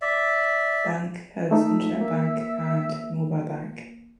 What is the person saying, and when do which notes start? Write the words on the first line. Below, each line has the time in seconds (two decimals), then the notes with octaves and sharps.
Bank has internet bank and mobile bank.
0.02 D5 E5
1.51 A3 D#4 A4 E5
2.01 A#3